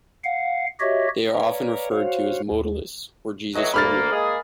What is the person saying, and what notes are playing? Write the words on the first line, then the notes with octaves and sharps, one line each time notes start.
They are often referred to as "Modalists" or "Jesus Only".
F5 F#5
F#4 G4 C#5 D#5 E5
B4 C#5 D5 F5 G#5 A#5
F#4 C5 C#5 F5
D#2
A2 E3 F#3 D#5
D2 A#3 B5 F6 A6
G#3 A#3 G#4